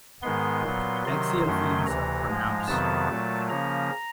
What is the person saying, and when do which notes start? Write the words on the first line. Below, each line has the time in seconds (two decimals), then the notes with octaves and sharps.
Axial fillings are pronounced.
0.22 G#2 D#3 G#3 B3 C6
0.63 A#2 F#3 B3
1.05 C3 D#3 F#3 C6
1.45 F#2 D#3 F#3 A3 C#4
1.86 D2 C3 E3 A#5
2.27 G#2 F3 G#3
2.67 F2 C3 D#3 F#3 B3 A5
3.09 A#2 F#3 A3
3.49 C#3 F3 A#3 C#4 A#5